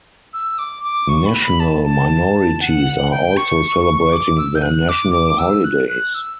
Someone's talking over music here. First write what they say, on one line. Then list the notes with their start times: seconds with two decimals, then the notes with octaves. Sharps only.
National minorities are also celebrating their national holidays.
0.33 E6
0.59 D6
0.84 D6
1.09 C#6
1.26 B5
1.43 B5
1.60 A5
1.85 A5
2.61 F#5
3.11 G5
3.37 C#6
4.12 D6
4.38 E6
4.55 G6
4.63 F#6
4.89 D6
5.13 D6
5.39 E6
5.64 F#6
5.89 F#6
6.14 E6